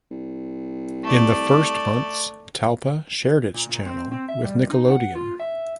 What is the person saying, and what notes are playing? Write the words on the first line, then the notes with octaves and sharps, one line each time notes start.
In the first months Talpa shared its channel with Nickelodeon.
C2
A3 D5
A#2
A#2
C4
C4
E5
G3
D#4
F#5
F4
E5